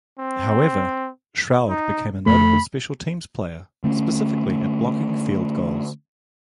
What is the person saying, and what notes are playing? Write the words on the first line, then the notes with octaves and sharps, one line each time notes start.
However, Stroud became a notable special teams player - specifically at blocking field goals.
C4
D#4
F2 A3 B5
D3 A3 C4 C#4